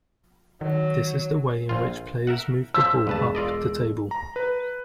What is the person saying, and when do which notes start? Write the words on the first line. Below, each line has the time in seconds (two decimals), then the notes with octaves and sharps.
This is the way in which players move the ball up the table.
0.61 D#3 F#3
1.69 A#1 F4
2.27 A#4 E5 F#5
2.74 F3 E6 B6
3.07 E1 G2 B4 A5
3.35 F4 D5 D#5
4.11 A#5
4.36 B4